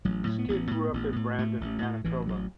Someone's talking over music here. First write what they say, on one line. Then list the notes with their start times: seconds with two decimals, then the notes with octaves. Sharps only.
Skid grew up in Brandon, Manitoba.
0.05 A1 F#3
0.27 A2
0.38 B3
0.49 A1
0.71 A2
0.94 A1
1.16 A2
1.38 A2 A3
1.61 A1
1.82 A2
2.04 A1 E3
2.26 A1 F#3